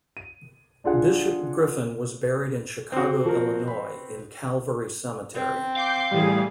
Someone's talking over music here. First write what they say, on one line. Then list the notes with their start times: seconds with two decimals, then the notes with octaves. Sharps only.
Bishop Griffin was buried in Chicago, Illinois in Calvary Cemetery.
0.17 D#7
0.84 D4 F4 G#4 F#5
2.92 C4 F#4
3.25 F3 A#4
3.67 B4 B5
5.35 C4
5.76 F5 D6 G6 C7
6.11 A2 E3 G3 G#4